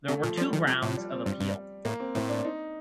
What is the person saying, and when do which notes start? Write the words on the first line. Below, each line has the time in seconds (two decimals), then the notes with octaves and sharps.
There were two grounds of appeal.
0.08 C3 A3
0.22 A#2 F3
0.37 F3 G3
0.53 D#3 G3
0.67 C3 F3
0.82 A2 F3
0.97 G3
1.11 C4
1.26 G2 G3
1.41 G2
1.85 A2 A#3
2.00 C4
2.15 A2 C4
2.29 D4
2.45 D#4